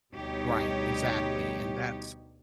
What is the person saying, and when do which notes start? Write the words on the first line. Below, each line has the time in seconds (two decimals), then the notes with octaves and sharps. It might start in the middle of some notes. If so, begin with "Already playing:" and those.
Right, exactly, and that's
0.14 D2 B2 G3 D#4 G4 C#5